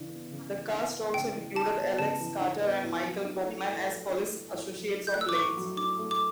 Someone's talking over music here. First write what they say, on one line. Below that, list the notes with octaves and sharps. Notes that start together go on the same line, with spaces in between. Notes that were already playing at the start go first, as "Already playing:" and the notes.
The cast also included Alex Carter and Michael Copeman as police associates of Lane's.
Already playing: C#3 E3 D4
B3
C#3
E3
D4
B3
C#3 G5
E3
D4 A5
B3
C#3 A5
E3
D4
B3
A2
F#3
D4
A3
A2
F#3
D4
A3
A2
F#3
D4
G6
A3 F#6
E6
D6
A2 C#6
F#3
D4 D6
A3
D6